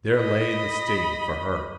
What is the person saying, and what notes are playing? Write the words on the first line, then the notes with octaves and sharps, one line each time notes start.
There lay the sting for her.
D#5 B5